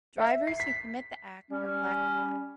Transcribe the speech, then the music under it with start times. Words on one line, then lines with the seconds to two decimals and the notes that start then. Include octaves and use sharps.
Drivers who commit the act are black-flagged.
0.18 E5
0.47 C7
0.60 B6
1.50 G3 C#4